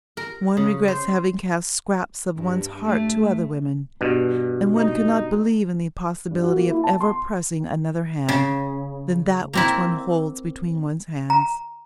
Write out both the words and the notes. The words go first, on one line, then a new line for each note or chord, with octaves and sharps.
One regrets having cast scraps of one's heart to other women, and one can not believe in the possibility of ever pressing another hand than that which one holds between one's hands.
A#4
C#3
C5
G2
A3
G2 B2
D#4
G2
F#4
A#3
E4
A5
C6
C#3
A#3 C4 E4
A#5